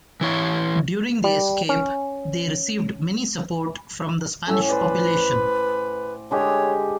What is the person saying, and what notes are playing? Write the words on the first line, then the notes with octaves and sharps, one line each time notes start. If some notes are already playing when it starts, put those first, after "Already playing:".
During the escape they received many support from the Spanish population.
E3 E4 C#5
G3
C#4
A2 C#4 A4
B4 C5 D5
D3 G#3 G4 C#5